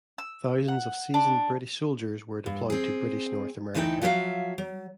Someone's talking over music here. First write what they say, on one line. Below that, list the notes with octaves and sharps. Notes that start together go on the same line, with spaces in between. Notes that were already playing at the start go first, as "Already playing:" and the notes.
Thousands of seasoned British soldiers were deployed to British North America.
E6
F#5
D4
G2
C4 G#4
D2 E3 A3 D#4 E4 G5
F3 F#3 G4 A#4 E5 F5
F#3